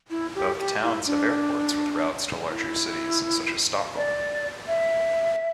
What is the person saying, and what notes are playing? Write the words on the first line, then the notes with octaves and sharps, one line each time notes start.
Both towns have airports with routes to larger cities such as Stockholm.
E4
G4
G4
E4
D4
E4
D5
E5